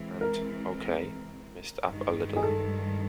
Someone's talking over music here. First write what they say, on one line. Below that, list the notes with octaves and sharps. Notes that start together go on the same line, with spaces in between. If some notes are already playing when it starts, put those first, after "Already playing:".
And, okay, mist up a little.
Already playing: E3 G#3 C4
A#4
G2 D#3 G#3
G#4
A4